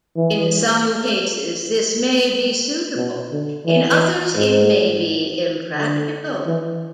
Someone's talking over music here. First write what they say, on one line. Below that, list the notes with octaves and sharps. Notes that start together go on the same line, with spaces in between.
In some cases this may be suitable; in others it may be impractical.
E3
B2
D3
E3
G#2
D3
E3